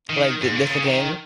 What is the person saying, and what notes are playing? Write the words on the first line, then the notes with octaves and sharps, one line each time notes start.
Like, "Thi this again?"
D#3
G#2
A#2
C#3
D#3